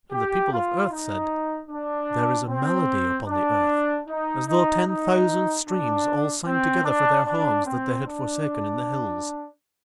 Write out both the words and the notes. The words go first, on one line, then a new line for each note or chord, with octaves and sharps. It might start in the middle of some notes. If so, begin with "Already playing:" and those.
And the People of Earth said: "There is a melody upon the Earth as though ten thousand streams all sang together for their homes that they had forsaken in the hills."
G4
F4
D#4
D4
C4
D4
D#4
D#4
D#4
D4
C4
D4
D4
C4
D4